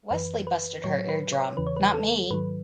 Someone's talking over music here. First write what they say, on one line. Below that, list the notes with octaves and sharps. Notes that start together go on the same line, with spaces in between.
Wesley busted her eardrum, not me.
F#2 E3 B4
B4
A2 F#3 C#5
B4
C#5
E2 C#3 E3 B4
C#5
B4
A4
G#2 D#3 F#3 B4